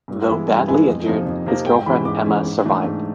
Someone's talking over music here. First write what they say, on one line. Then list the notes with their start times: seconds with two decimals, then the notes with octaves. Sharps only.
Though badly injured, his girlfriend Emma survived.
0.08 G2
0.28 E3 G#3 B3 E4
0.47 G2 G#5
0.67 E3 G#3 B3 E4 G#5
0.87 F2
1.07 C3 F3 A#3 D#4
1.26 F2
1.46 C3 F3 A#3 D#4
1.66 G#2 G5
1.86 E3 G#3 C#4 E4 B5
2.05 G#2 D6
2.26 E3 G#3 C#4 E4
2.45 G#2
2.65 E3 A3 D4
2.85 G#2